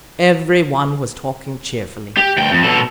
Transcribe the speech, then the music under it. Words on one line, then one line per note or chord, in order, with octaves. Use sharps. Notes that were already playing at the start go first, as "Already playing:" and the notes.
Every one was talking cheerfully.
G4
D2 G5
F2
B2 A4